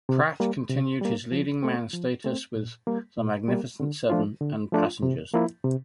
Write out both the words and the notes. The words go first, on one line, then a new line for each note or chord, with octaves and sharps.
Pratt continued his leading man status with "The Magnificent Seven" and "Passengers".
C3
G3 A#3
C3
G3 A#3
F3
A3 C4
F3
A3 C4
A#2
G3 A#3
A#2
G3 A#3
D3
F3 A3 D4 F4
D3
F3 A3 D4 F4
C3
F3 A#3 E4
C3